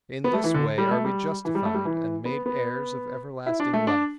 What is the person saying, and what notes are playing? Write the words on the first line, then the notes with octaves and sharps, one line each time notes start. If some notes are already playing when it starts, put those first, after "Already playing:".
In this way are we justified and made heirs of everlasting life.
B3
A3
E3
D3
G3
A3
G3
E3
G3
A3
G3
E3
B3
B3
E4
D4
A3
D4